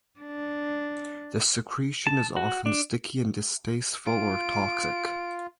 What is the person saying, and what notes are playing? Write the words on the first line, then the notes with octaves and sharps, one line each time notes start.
The secretion is often sticky and distasteful or toxic.
D4
A5
F#4
D4
F4 D7